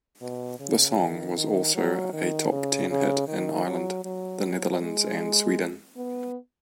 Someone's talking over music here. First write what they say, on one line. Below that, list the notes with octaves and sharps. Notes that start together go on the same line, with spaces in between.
The song was also a top ten hit in Ireland, the Netherlands and Sweden.
B2
C#3
D#3
D#3
F#3
D#3
C#3
C#3
D#3
F#3
F#3
F#3
G#3
B3